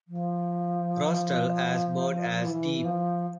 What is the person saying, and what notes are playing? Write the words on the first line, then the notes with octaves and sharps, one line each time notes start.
Rostral as broad as deep.
F3
E3
F3